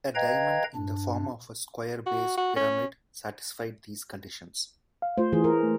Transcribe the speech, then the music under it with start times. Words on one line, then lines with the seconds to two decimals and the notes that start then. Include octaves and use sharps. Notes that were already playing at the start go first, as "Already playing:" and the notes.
A diamond in the form of a square-based pyramid satisfied these conditions.
0.15 B4 D#5 F5 G5 A#5 G#6
0.75 G2 D4
2.06 F#4
2.37 F#4
2.56 C#4
5.02 F5
5.18 A3 F4 C5
5.32 E3 G#4
5.44 A#4
5.63 A3